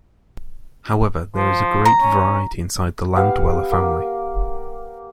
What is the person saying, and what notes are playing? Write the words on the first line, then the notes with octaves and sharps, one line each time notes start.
However, there is a great variety inside the landdweller family.
F3
A#5
C#4
B3 G4 F5
A#3